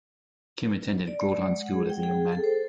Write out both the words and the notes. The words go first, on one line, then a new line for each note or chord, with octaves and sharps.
Kim attended Groton School as a young man.
D5
G#3
G#3
F#5
G#4
G5
G#4
A4
C5